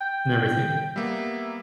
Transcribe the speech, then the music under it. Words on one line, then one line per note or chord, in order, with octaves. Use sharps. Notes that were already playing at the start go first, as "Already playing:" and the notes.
and everything.
G5
G3 A#3 B3 E5